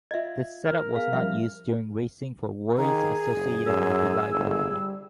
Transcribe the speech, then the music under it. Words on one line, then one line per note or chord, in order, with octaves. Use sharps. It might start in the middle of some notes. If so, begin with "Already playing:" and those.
This setup was not used during racing for worries associated with reliability.
F4 D#5 E5 G#6
A#4 F6
B3 G#4 F5
F3 G3 C#4 E5
D#3 G#4 A#5
F#1
F#2 E6
G1
G3